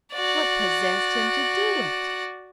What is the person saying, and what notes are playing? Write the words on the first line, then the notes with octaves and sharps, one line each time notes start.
What possessed him to do it?
F#4 D5